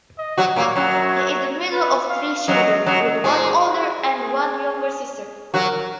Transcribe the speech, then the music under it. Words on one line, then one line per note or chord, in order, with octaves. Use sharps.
He is the middle of three children with one older and one younger sister.
D#5
F#3 F#4
A#2 A#3 C#5
F#2 F#3
C#5
B4
F5
F#2 F#3 D#5
F#2 F#3 D#5
G#2 G#3 F4
F#4
G#4
F#3 F#4 A#4